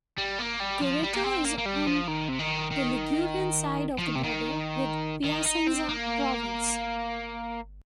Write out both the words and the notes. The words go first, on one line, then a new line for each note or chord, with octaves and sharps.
Gorreto is on the Ligurian side of the border with Piacenza province.
G3
A#3
G3
F3
G3
A#3
C4
A#3
A#3
G3
F3
D#3
C3
D#3
D#3
F3
D#3
C3
D#3
D#3
D#4
C4
A#3